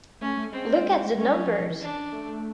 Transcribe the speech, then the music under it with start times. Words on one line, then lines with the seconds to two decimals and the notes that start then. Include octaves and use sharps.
Look at the Numbers!
0.21 A3 C#4
0.37 A3
0.52 G#3 C4
1.17 G3 C#4
1.38 F#3
1.49 F3
1.59 F3
1.70 E3
1.80 D4
2.12 A3